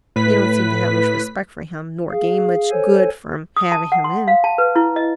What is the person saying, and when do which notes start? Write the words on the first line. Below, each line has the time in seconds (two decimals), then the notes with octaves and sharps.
'You don't seem to have much respect for him; nor gained much good from having him in.'
0.16 A2 B4 B6
2.11 G#4 F5
2.71 A4 C5 C#5 G#5
3.57 D#6
3.72 A5
3.92 F#5
4.04 C6
4.28 F5
4.44 A5
4.58 B4
4.76 E4
4.96 D#5